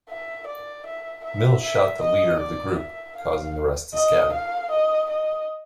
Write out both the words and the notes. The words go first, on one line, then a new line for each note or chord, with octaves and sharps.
Mills shot the leader of the group, causing the rest to scatter.
E5
D5
E5
E5
E5
D#5
D5
E5
F5
D#5
F5
D#5
D#5